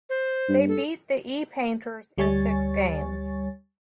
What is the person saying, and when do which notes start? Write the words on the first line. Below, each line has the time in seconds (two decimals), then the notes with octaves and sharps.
They beat the E-Painters in six games.
0.10 C5
0.48 G2
0.68 A4
2.18 D2 G3 C#5 G#5 C#6 A6